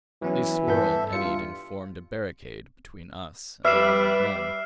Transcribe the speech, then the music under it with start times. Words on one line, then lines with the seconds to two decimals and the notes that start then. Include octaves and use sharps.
They swirled, eddied and formed a barricade between us and the armored men.
0.22 E3 F#3 B3 C#4
0.67 G2 B3 A4 E5 G6
1.13 G2 F4 C#7
3.65 G3 B4 D5 E5 F6 C7 E7